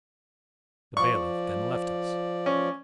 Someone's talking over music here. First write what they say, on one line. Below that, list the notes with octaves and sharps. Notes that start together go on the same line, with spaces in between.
The bailiff then left us.
F3 D5 C#6
C#4